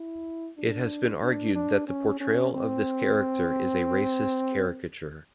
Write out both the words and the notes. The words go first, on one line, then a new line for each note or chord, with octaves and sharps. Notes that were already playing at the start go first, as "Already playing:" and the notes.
It has been argued that the portrayal of this character is a racist caricature.
Already playing: E4
D4
D4
D4
C#4
C#4
C4